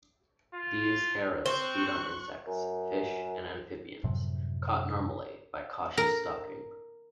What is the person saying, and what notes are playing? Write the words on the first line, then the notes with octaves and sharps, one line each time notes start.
These herons feed on insects, fish and amphibians, caught normally by cautious stalking.
F4
C4 C5 C#6 F#6
F#2
F#2 A2 C3 F3
A#4